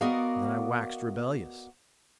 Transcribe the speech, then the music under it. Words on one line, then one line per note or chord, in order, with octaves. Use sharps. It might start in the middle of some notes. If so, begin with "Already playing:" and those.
Then I waxed rebellious.
B3 F#4 A#4 D5 D#5 F5